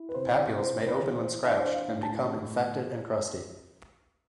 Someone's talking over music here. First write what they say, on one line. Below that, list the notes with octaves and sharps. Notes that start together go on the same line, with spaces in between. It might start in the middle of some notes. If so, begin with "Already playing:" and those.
Papules may open when scratched and become infected and crusty.
Already playing: E4
B4
C3 C5
D5
E4 C5
B4
E3
C5
D4 E5
D5
C5
D5
F5
A2
A5